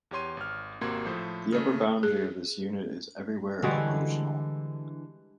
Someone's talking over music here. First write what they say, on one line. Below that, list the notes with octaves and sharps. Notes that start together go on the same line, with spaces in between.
The upper boundary of this unit is everywhere erosional.
E2 G4 C#5 C6 D#7
G#1 F6
G#1 C3 A#3 F#4 C6 G#6
A2 F3 A4 C5
C#3 A3
G#4
D3 E3 G3 G#3 F#4